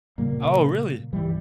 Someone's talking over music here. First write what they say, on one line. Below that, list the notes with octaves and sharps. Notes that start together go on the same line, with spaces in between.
Oh, really?
A#2 C#3 G3 A#3
C#2 G2 E3 G3